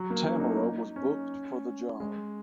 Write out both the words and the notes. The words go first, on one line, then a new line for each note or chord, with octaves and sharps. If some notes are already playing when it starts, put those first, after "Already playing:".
Tamara was booked for the job.
Already playing: F#3
A#3
C#4
D#4
D#4
C#4
G#3